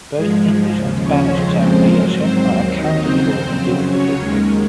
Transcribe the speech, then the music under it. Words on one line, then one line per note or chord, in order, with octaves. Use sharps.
Both English and Spanish channel viewership are accounted for in these statistics.
G#2 F3 G#3 G#4
D#2 C#3 F3
C#4 C#5
F2 C#3 F3 G#3 C4 C5
C4 C5
G#2 F#3 A#4
C4 C5
D#2 D#3 F#3 C4 C5
D#4 D#5
F2 C#3 F#3 C4 C5
F#2 C#3 F#3
C#4 C#5
D#2 D#3 G#3